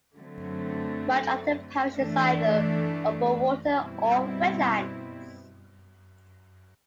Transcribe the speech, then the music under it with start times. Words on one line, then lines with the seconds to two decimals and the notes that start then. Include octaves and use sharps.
Much of the parish is either open water or wetlands.
0.15 D3 F#3 A3 C4
1.95 E3 A3 D4
3.75 B2 G3 C4 E4